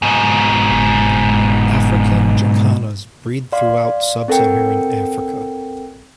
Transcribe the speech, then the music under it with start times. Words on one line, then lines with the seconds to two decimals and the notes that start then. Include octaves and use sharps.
African jacanas breed throughout sub-Saharan Africa.
0.02 G#2 B2
3.52 D5 F5 C6
4.28 C4 A4 A#4 G5